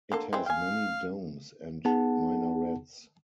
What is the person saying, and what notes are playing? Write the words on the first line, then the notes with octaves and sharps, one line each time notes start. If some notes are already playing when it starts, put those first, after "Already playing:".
It has many domes and minarets.
D3 A#3 A4
E3 G#3 C4
F5 G5 G#5
B3 D#4 G#4 F#5 A5